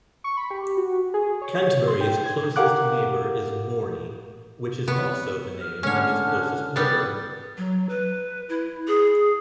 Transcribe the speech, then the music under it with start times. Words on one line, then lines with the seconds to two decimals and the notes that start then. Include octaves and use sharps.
Canterbury's closest neighbour is Morney which is also the name of its closest river.
0.24 C#6
0.37 B5
0.51 G4
0.77 F#4
1.14 G#4
1.42 C#5
1.88 C6
2.01 G5
2.24 G#6
2.56 G4 A#4 F5 F#5 D6 F#6
4.88 C3 B3 C#5
5.61 F6
5.83 G#2 D3 G#3 A3 C#4 C#5
6.76 G3 B3 A6
7.58 F#3
7.89 B4
8.49 E4
8.87 G#4